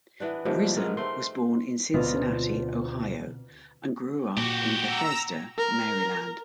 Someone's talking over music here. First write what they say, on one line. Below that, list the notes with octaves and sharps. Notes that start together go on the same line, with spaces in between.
Risen was born in Cincinnati, Ohio, and grew up in Bethesda, Maryland.
E3 B3 D4
C3 D#3 F3 G3 A#3
G#3 B3 A#4
A3 C4 C6
D2 B2 B3 C4 F4 F6
A#2 F#4 G4
A#5 E6
A#4